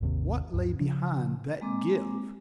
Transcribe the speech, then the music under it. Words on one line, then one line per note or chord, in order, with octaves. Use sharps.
What lay beyond that give?
G#1 D#2 C3
D2 G2
C#3 F3
G#3 A#3 C4 D6